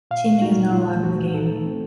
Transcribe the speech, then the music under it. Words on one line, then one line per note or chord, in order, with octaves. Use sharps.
Teaming is not allowed in the game.
A#2 F5
A3
D#4 F#4
A#2
A#2 F4
A3
D#4 F#4
A#2
D#4 A4
A3
C4